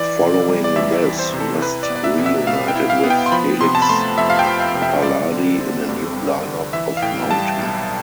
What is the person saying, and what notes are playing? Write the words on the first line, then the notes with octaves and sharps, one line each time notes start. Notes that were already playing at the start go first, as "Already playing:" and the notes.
Following this, West reunited with Felix Pappalardi in a new line-up of Mountain.
Already playing: E3 D5
C3
D5
G3
D5
E2 E5
D5
E3
C5
C3
A4
E4 B4
D5
B3
D5
E5
B2
E5
B2 F5
G5
E4
F5
B3
G5
C6
F3 B5
C3 C6
A5
B5
A3 C6
F2 E5
F5
G5
F3
F5
C3
E5
G3 D5
D3
C4
G2
G3
D3
E3 E5
F5
A2 G5
G3 A5
B1